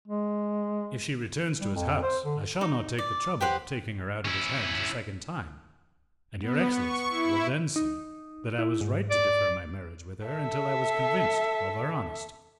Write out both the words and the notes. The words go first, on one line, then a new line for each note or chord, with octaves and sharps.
"If she returns to his house I shall not take the trouble of taking her out of his hands a second time, and your excellency will then see that I was right to defer my marriage with her until I was convinced of her honesty."
G#3
G3
F2
C5
D3
D#4
D5
G4 B4 C5 F#5
C#4 E4
B3
C#6
E4
D#4
E4
G#2
D5
A4 E5